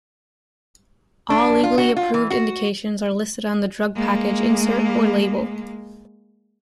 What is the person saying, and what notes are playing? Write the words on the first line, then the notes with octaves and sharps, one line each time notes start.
All legally approved indications are listed on the drug package insert or "label".
D4
F4
F#4
F4
E3
F#4
G#3 A#3